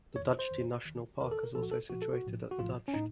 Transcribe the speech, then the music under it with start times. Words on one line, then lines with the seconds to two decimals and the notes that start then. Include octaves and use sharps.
The Dajti National Park is also situated at the Dajt.
0.16 F2 D#3 C#5
0.28 C5
0.39 C5
0.51 F2 D#3
0.86 D#2 D#3
1.20 D#2 D#3 A#4
1.31 A4
1.44 A#4
1.55 C2 A#2 F3 A4
1.63 F#4
1.71 A4
1.90 C2 A#2 F3 F#4
2.02 A4
2.14 F#4
2.24 A#1 A2 F3
2.51 F#4
2.59 A#1 A2 F3 F4
2.88 C#4
2.94 A2 D#4